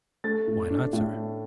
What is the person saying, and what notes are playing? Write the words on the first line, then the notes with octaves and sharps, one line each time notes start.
"Why not, sir?"
A3 A6
A2
D4
A2